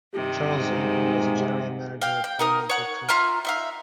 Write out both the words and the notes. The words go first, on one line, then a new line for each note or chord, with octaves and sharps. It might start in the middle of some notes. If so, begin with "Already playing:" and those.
Charles Eyton was the General Manager of Paramount Pictures.
G2 C3 D#3 G4
G#2
F5 G5
G5
D#4 A#4 D#6
C#5 F#5
F4 E5 A#5 F6
D#4 E5 F5